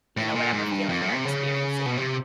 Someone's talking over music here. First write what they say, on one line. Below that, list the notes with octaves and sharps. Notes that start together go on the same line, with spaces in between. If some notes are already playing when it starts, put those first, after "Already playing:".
you know, whatever feeling you're experiencing?
A2
A#2
G#2
G2
F2
F#2
C3
C#3
B2
C3